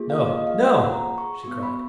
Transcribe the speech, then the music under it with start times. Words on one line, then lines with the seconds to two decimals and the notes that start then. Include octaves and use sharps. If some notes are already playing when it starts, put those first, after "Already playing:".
"No, no," she cried.
Already playing: A#3 F4 G#4
0.10 F5
0.28 D#5
0.47 F5
0.67 F#5
0.93 A#5
1.18 C#6
1.43 B3 F#4 C#6
1.63 B5